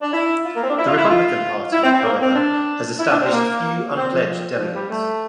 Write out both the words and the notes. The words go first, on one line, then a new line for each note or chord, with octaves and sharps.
The Republican Party, however, has established few unpledged delegates.
D4
E4
F4
A#3
C4
D4
E4
F4
E4
F4
E4
C4
C4
A#3
C4
D4
E4
D4
C4
A#3
C4
F3
F3
G3
A3